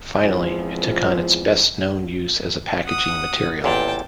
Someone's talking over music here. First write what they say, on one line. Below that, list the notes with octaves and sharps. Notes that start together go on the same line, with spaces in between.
Finally, it took on its best-known use as a packaging material.
E2 F3 G#3 C4 F4 C5
F#5 D#6
A1 E2 A#2 G5 A5